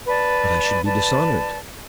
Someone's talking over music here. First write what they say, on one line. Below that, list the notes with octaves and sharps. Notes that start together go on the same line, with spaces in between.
"But I should be dishonoured."
B4 D5 A5
B4 D5 A5